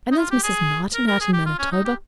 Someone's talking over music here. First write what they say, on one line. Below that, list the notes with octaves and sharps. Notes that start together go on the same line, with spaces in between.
And there's Mrs. Martin out in Manitoba.
D#4
F4
G4
G#4
A#4
A#4
G#4
G4
F4
C#4
D#4
G4